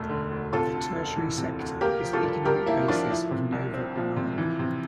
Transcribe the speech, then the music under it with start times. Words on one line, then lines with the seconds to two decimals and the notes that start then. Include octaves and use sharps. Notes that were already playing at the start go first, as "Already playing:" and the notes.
The Tertiary sector is the economic basis of Nova Granada.
Already playing: E1 D2 A3
0.09 D3
0.31 D2
0.53 C3 F4 A4
0.74 D2
0.96 E1
1.16 E3
1.38 C3
1.59 D2
1.81 A#3 G4 A#4
2.03 F3
2.13 F4 A4
2.23 G2
2.45 G2 G4 A#4
2.66 A#3 E4
2.88 F3 D4 F4
3.10 F3 E4
3.31 C3
3.52 C2
3.74 C4
3.96 F3
4.16 C3
4.38 E3
4.59 C3